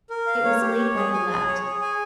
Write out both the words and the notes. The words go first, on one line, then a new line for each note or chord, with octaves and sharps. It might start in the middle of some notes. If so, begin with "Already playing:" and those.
It was late when he left.
A#4
F5
C#5
G4
C#5
G#4
G#5
G#4
C#5
G#4
G#5